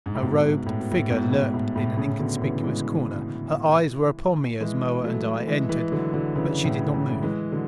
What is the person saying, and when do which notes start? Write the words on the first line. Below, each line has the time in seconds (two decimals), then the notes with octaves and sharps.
Her robed figure lurked in an inconspicuous corner; her eyes were upon me as Moa and I entered, but she did not move.
0.06 G#2
0.15 A2
0.23 G#2 B2
0.66 A2
0.79 B2
0.92 A2
1.10 G#2 B2
1.32 A2
1.54 A2
1.76 A2
1.98 A2 C#3
2.19 B2 D3
2.42 C#3 E3
2.63 E3 G#3
4.61 E3 G#3
5.04 F#3 A3
5.47 E3 G#3
5.69 E3 G#3
5.92 D3 F#3
6.14 D3 F#3
6.35 C#3 E3
6.64 A2 C#3
6.93 C#3 E3
7.23 E3 G#3
7.52 D3 F#3